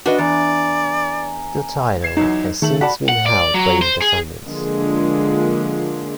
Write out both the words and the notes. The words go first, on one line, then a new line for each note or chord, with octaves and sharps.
The title has since been held by his descendants.
D4 F#4 B4 D#5
E2 D5 G#5 A#5
G#6 C7 E7
E2 F#3 D#4
D#3 A3 A4 F#7
F#4 D5 A5 B5
F#5
D5
F#3
C5
G#4
D3 F3 G#3 A#3